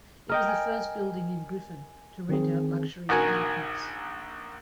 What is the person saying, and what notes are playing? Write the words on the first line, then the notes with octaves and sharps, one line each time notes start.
It was the first building in Griffin to rent out luxury apartments.
A#4 D#5 G5
G#5
D#3 C4 G#4
A#1 D#3 F#4 A#4 G#5